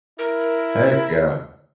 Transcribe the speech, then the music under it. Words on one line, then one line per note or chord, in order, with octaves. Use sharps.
Heck yeah.
E4 A#4